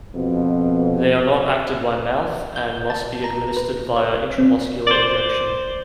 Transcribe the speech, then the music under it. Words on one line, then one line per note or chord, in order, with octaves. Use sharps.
They are not active by mouth, and must be administered via intramuscular injection.
F2 B2
G6
A5
A#5
B4
C#5
C4
C5 D5